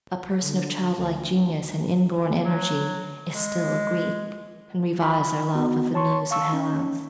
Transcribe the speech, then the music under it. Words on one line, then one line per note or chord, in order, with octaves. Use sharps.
A person of childlike genius and inborn energy is still a Greek, and revives our love of the Muse of Hellas.
D3
D2
F#3
G#3
B5
B3 D#4 F#4
C#5 A5 C6 C#6
F5 A5 C#6 E6
C#4 D#4